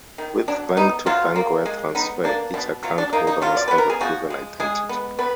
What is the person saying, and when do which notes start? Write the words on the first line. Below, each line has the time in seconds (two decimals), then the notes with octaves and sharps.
With bank-to-bank wire transfer, each account holder must have a proven identity.
0.18 D#3
0.48 F#3 D4
0.77 B3 D#4
1.06 F#3 F4
1.36 A#3
1.66 G#3
1.95 B3 D#4
2.24 A#3 D4
2.54 B2 D4
2.83 F#3 F4
2.98 D4
3.13 A#3 D#4
3.27 D#4
3.42 F#3 F4
3.57 D5
3.68 B3 B4
3.78 A#4
3.90 G#4
4.01 F3 F#4
4.30 G#3
4.60 G#3 G#4
4.89 B3
5.19 B3 B4